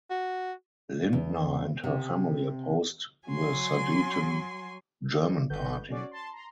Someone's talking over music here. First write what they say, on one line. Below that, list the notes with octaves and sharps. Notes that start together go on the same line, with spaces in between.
Lindner and her family opposed the Sudeten German Party.
F#4
E2
C3
F#3 G#5 C6
G1 D3 F#4 A4 B4 G6
C#4 F#4 D5
A5 C6
A#5 C6